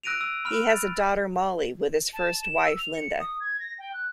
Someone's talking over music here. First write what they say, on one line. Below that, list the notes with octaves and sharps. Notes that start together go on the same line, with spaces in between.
He has a daughter, Molly, with his first wife, Linda.
E6 F#6 A#6 D7 D#7 F7
E6
B5 F6 F7
A6
A5
E7
E6
F7
C#7
D#6
G#6
A#6
G5
F#6